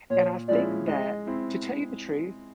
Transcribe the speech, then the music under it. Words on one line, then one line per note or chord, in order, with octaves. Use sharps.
and I think that to tell you the truth,
A#2 C#5
F3 G#3 C#4 E4 D5
G#3 D#5
C4 E4